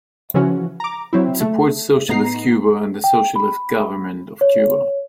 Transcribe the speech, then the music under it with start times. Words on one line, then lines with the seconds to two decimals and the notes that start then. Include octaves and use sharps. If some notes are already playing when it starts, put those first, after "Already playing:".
It supports socialist Cuba and the socialist government of Cuba.
0.34 C#3 E3 F3 C#4 F#4
0.80 A#5 D6
1.13 F#3 C4 E4
1.40 A3
2.09 A2 B3 D#4 A#5 C7
3.04 G5
3.36 B5
4.41 C#5